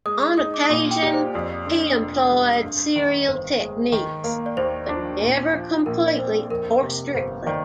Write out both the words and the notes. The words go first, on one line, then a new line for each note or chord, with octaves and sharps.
On occasion he employed serial techniques, but never completely or strictly.
G#3 D#6
D#6
D#4 D#6
D6
D#6
A#2 D6
G5
G4 D5
C5
F2 D5
D3
F1
G3
G2
D#3
G1 C5
G#3
D#3
A#3
D5
D#2 C5
D4
A#2
F3
A#1 A#4
D5
C4 C5
F2 A#4
C3
G1 C5
D#3 D5